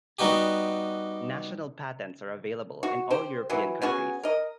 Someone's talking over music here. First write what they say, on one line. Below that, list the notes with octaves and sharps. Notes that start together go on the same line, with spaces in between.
National patents are available in all European countries.
G3 B3 D#4 F#4 G4
F#4
G4 C5
E3 F#3
B3 C#4 F#4 G#4
A#4 D#5